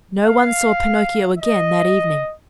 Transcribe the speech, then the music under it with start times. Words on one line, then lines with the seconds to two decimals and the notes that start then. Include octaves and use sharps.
No one saw Pinocchio again that evening.
0.25 F5
1.38 D#5